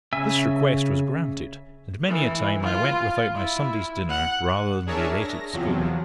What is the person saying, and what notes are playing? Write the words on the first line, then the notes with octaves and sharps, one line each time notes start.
This request was granted, and many a time I went without my Sunday's dinner rather than be late at school.
C#3 E5 G#5 E6
E3
F4
E4
F#5
D4 G#4 A#4 C#5 E5 A5
A#6
E2 C3 F3 F#3